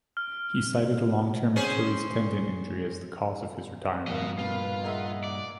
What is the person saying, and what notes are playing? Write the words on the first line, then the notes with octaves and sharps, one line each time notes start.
He cited a long-term achilles tendon injury as the cause of his retirement.
F6
C#4 G#4 C5
G2 A#2 F#4 A#4 D#5 F5
B2 A#3 F4 B4 F5
G#4 A#4 D#5 E5 F#5
D5